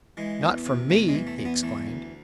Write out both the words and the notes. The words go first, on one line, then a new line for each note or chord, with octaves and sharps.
"Not from me!" he exclaimed.
E3 G#3
E2
C3
E2 A3
G#3
E3
A3
E2
B3
E3 A3
D2